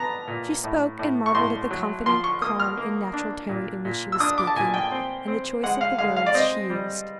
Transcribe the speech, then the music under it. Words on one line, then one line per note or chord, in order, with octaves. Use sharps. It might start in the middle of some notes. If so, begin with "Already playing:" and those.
She spoke, and marveled at the confident, calm, and natural tone in which she was speaking, and the choice of the words she used.
Already playing: B3 A5 A#5
A#2
A2
A2
C#6
A2 C6
F#3
F3 C6
C#6
A#3 D#6
F6
A#3
D4
A#2
A#2
E6
D4 D#6
D6
A5
A#2 G#5
G5
C4
C4
G#3 F#5
F5
G#3 F5
F5
D5
C4 D#5
G3